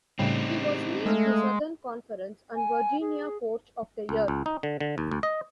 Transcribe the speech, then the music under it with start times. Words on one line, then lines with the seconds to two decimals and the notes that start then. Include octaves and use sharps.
He was named the Southern Conference and Virginia Coach of the Year.
0.19 A2 C#3 G3 C4 D#4
1.06 G#3 A3 F5 A#5 E6
2.56 G#5
3.01 G#4
4.09 C#2
4.28 C#2
4.46 D#4
4.63 D3
4.80 D3
4.98 D#2
5.11 D2
5.23 D#5